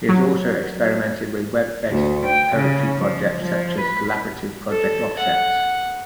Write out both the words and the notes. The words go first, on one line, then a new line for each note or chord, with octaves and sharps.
He has also experimented with web-based poetry projects such as the collaborative project "OffSets".
F#3
D2
G5
C#3
F3
F3
B4
A4
F#5